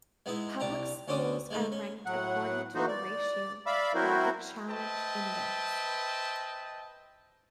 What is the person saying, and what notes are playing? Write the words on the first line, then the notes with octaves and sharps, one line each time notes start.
Public schools are ranked according to a ratio called the Challenge Index.
G#3 B3 D#4 E4
C2 D4 G4 A#5
D2 C#4 D4 C5 D6 D#6
G#3 A3 D#4
C#4
A2 F#3 F#5
E3 A3 A#3 D#4 F#4 C5
D5
D5 E5 F5 B5 D6 E6
F#3 C4 E4 F#4 A#4 C5
B4 C5 D#5 E5 G5 A5